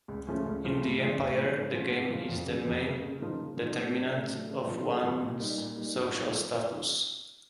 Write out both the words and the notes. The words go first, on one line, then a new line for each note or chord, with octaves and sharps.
In the empire, the game is the main determinant of one's social status.
C#2
C#3 F3 A3 C#4
C#2
C#3 F3 A3 C#4
A2
F3 G#3 B3 D4
A2
F3 G#3 B3 D4
G#2
F3 A#3 C#4 F4
G#2
F3 A#3 C#4 F4
F2
C#3 F#3 A#3
F2
C#3 F#3 A#3
C#3
F3 A#3 D#4
C#3
F3 A#3 D#4
A2
F#3 A3 D4
A2
F#3 A3 D4
C#3
F3 A#3
C#3
F3 A#3
A#2
G3 A#3 D#4
A#2
G3 A#3 D#4
G2
D#3 G3 C4 F4